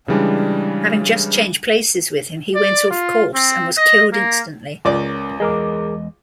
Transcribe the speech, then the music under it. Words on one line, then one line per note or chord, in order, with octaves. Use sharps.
Having just changed places with him, he went off course and was killed instantly.
C#3 E3 G3 G#3 D4
D5
F4
C4
D#5
A#3
C#2 C#4 A#4 D5
E2 G#3 G#4 A#4 D#5 D6